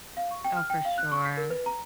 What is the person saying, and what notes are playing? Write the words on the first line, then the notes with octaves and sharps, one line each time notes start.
Oh, for sure.
F5
C#6
G5
F6
G5
F5
F#6
C#6
B6
A#4
B4
A#5